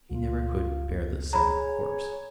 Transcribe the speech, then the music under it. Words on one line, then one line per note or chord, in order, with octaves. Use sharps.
He never could bear the sight of a corpse.
C#2 F4
G#4 C#5 A#5 B5